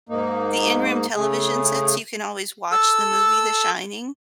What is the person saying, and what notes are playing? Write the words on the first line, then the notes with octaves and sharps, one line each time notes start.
the in-room television sets, you can always watch the movie, The Shining,
G#2 A#3 D#4
C#3 A3 G#4
A4 E6